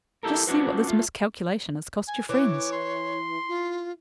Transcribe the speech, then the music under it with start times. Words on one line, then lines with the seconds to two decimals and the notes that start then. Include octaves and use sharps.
Just see what this miscalculation has cost your friends!'
0.23 E4 G4 A4 A#4
0.47 C#4 D4 F4 F#4 B4 C5
0.88 A3 F4
2.08 G#5
2.29 E3 C#5 D6
2.73 C6
3.49 F4